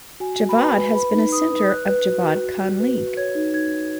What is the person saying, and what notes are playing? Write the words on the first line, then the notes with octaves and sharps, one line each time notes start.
Javad has been a center of Javad Khanlig.
F#4 G#5
F#4
B5
B4 G#5
B4
B4 B5
D#4
B4 D#6
B4
D#6
B4 F#6
B4
F#4
F#4
F#4
F#4
B4
F#4
C#5 G#6
D#4
D#4 G#6
D#4